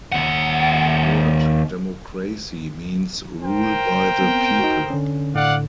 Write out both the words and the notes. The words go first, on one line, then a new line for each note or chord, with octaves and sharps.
The word democracy means rule by the people.
D#2 F#5
A#4 C5 G5
B3 C4
D#4 F#4
D3 C#4
A2 D3 D5 F5 F#5